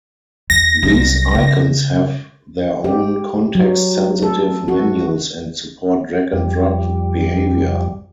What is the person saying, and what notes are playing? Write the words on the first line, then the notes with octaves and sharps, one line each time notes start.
These icons have their own context-sensitive menus and support drag and drop behaviour.
E2 A#6
C2 F#3
C#3 G#3
G4
F#3
A4
F#4
F2 G3